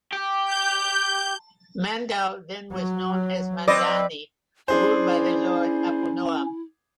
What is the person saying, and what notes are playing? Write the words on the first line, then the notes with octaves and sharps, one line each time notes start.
Mandaue then was known as Mandani ruled by their lord Aponoan.
G4
G6
F#3
C4 B4 D5 D#5
C#4 D4 E4 G#4 C5